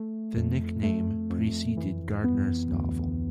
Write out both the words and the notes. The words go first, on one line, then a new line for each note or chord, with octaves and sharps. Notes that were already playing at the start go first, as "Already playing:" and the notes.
The nickname preceded Gardner's novel.
Already playing: A3
F2
A3
F2
E3
B3
D2